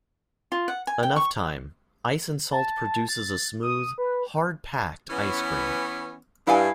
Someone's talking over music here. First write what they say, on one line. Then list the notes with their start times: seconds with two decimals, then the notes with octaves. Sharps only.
Enough time, ice and salt produces a smooth "hard packed" ice cream.
0.52 F4
0.68 F#5
0.87 G#5
1.03 G5
1.16 C#6
2.51 A5
3.09 A6
3.62 D#6
3.98 B4
5.10 E3 B3 C#4
6.47 G2 E4 F5 G#5